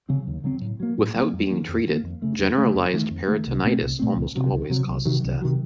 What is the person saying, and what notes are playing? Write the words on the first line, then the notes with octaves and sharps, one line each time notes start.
Without being treated, generalised peritonitis almost always causes death.
C#3 F#3 C4
D#2
C#3 F#3 C4
A2
F#3 A#3
A2
F#3 A#3
F2
D#3 A#3
F2
D#3 A#3
F2
C#3 A3
F2
C#3 A3
F2
D#3 A3
F2
D#3 A3
C2
A#2 A3 C4
C2
A#2 A3 C4
C#2
C3 F#3
C#2
C3 F#3
C2
C3 D#3 F#3
C2
C3 D#3 F#3